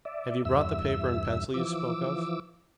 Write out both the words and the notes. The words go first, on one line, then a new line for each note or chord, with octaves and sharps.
Have you brought the paper and pencil you spoke of?
D5 E5
E2 G2 E5 E6
E3 F3 D6 E6